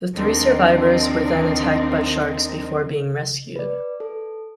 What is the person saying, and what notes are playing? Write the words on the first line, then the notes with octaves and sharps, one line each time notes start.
The three survivors were then attacked by sharks before being rescued.
D#2 C4 D4 D#4 A#4 D#5
B4 D5
A4